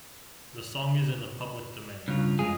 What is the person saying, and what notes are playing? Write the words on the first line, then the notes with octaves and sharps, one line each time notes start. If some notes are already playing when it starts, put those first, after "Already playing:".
The song is in the public domain.
G2 C#3 F4
F2 G#3 F4 G#4